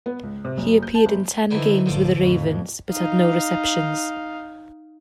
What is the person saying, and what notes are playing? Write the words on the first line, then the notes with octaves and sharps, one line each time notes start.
He appeared in ten games with the Ravens, but had no receptions.
B3
C#2
C3
F#1
G6
A5
G1
D3 E3 C4 D#4 E4
A1 F#2 D3 F3 D6
F2 A2
D#4 F5